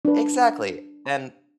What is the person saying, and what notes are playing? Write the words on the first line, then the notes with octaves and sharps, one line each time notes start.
Exactly, and
D4 B4